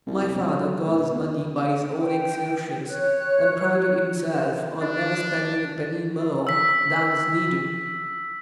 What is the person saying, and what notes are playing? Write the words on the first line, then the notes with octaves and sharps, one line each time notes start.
My father got his money by his own exertions, and prided himself on never spending a penny more than was needed.
C2
E1
F#3
A2
E2
G5
C#5 F#6
D4
E6 B6